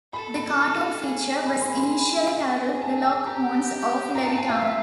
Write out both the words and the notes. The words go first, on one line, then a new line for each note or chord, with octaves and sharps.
The cartoon feature was initially titled The Lockhorns of Levittown.
A4 B5
B5
G#4
B5
C6
B5
G#4
A5
A5
G4 A#5
F4 A#5
A5
G#5
F5
E5